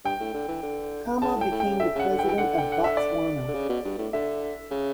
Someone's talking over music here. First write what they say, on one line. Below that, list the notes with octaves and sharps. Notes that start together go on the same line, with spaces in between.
Khama became the president of Botswana.
G2 G5
A2
D3
E3
D3
C#3 A5
A2
G5
A2
G5
C#3
D3 E5
C#3 F#5
D3
G5
E3
G5
D3 F#5
G5
F#5
E5
D5
D3
C#3
B2
G2
A2
D3 E5
C#3